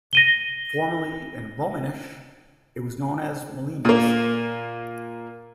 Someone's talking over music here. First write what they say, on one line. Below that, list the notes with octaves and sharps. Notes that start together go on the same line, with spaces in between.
Formerly, in Romansh, it was known as "Molinas".
A#6 D#7 G7
A#2 A#3